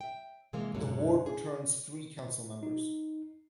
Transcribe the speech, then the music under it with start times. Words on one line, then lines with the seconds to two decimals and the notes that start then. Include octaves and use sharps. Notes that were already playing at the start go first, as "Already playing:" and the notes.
The ward returns three council members.
0.01 E5 G5
0.53 C3 E3 G#3 A#3 F5
0.74 F#2 B2 D3 F#3 G#3
1.26 G#4
2.63 D#4